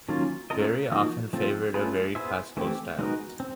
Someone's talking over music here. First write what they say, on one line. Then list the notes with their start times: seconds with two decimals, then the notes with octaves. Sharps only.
Barry often favoured a very classical style.
0.09 D#3 F#3 A#3 C#4 F4
0.50 A3 C#4 F4 A#4 D#5
0.91 F3 A#3 D#4 F#4
1.33 F3 A3 C4 F4
1.74 A3 C#4 F4 G#4 B4
2.15 B3 E4 G#4 C5 E5
2.57 E3 A3 C4 E4 G4
2.99 G#3 B3 D#4 F#4 A#4
3.40 C4